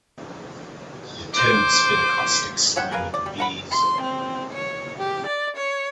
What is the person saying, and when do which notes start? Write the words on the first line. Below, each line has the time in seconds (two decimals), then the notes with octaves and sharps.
The toad spit a caustic slime at the bees.
1.34 C5 D6
2.76 C#5 E5 F#5 G5
2.92 G#4 A#4 B4 F5
3.14 D5
3.26 G3
3.38 A#4 F#5 B5
3.71 C6
4.01 C4
4.53 C#5
4.98 G4
5.26 D5
5.56 C#5